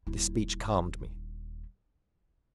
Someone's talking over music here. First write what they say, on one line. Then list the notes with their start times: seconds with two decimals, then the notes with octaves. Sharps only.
This speech calmed me.
0.07 D#1 E4